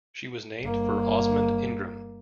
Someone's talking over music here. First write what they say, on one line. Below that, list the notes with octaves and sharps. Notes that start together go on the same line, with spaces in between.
She was named for Osmond Ingram.
G1 A#3